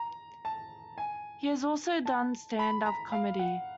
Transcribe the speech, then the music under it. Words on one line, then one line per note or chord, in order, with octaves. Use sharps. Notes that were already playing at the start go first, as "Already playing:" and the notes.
He has also done stand-up comedy.
Already playing: A#5
A5
G#5
A5
B5
A#5
F5
F#5